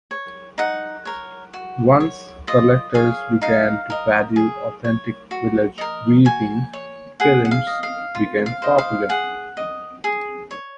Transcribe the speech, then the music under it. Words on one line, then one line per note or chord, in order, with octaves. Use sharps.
Once collectors began to value authentic village weaving, kilims became popular.
C#5
D#4 F#5
A#4 C#5
F#4
C#5
F4 D#5
G#4 C#5 F5
D#4 F5
A#4 D#5
G#4
C#5
F#4
A#4 D#5
F#4 G#5
C#5
G#4 F#5
F#5
F5
D#5
F5
F4
F5
C5 D#5
F5
G#4 F#5
D#5
G#4
C#5